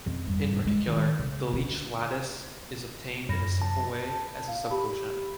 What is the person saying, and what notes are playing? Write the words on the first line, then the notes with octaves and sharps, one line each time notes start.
In particular, the Leech lattice is obtained in a simple way as a subquotient.
F2
G2
G#3
D#3
C#3
D3
F#2 B5 A#6
A5
F5
G4 B5